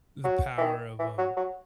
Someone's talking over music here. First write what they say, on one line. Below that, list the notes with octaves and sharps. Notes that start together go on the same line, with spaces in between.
the power of, um,
F#3
E3
D#3
E3
F#3
F#3